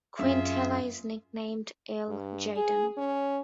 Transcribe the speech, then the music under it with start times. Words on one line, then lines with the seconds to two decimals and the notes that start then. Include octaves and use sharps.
Quintela is nicknamed ""El Gitano"".
0.19 F#2 F4 G#4 E5
2.08 G2
2.56 G#4
2.98 C#4